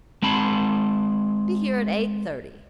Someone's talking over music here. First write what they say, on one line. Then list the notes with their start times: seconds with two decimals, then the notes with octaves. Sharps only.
Be here at eight-thirty.
0.22 G#3 C4 A5 B5